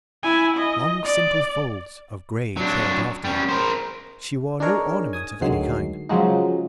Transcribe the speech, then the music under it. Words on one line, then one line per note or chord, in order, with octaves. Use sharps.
Long simple folds of grey trailed after her: she wore no ornament of any kind.
E4 G#5
D#5
D5
F#3 D4
G3 C#4
A#4 C5
D4 D#4 G#4 A#4 C#5
G#5 D#6
D2 D#3 F#3 G#3 C7
C#3 F3 F#3 G#3 D#4